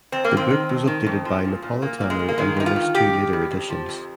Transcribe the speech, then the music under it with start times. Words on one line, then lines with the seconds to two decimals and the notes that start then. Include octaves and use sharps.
The book was updated by Napolitano and released two later editions.
0.12 F2 C4
0.24 A#3
0.31 D#3
0.37 C4
0.51 D#3
0.69 F2
0.87 D#3
1.06 F2
1.25 F3
1.44 A#2
1.62 A#2
1.82 A#2 A#3
2.01 A#2
2.10 G#3
2.19 A#2
2.29 A#3
2.38 D#3 G#3
2.56 G2 D#4
2.66 F4
2.76 D#3
2.95 D#3 G4
3.13 D#3
3.33 G2
3.51 F2
3.70 F3
3.89 F2